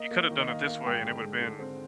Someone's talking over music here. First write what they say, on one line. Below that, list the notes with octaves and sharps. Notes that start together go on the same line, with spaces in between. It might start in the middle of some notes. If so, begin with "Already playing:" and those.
You coulda done it this way, and it would’ve been"
Already playing: A#3 D#5
A#3
D#3
D#5
A#3 F5
A#3 F5
G#2 G5
D3
G#3
D3
C4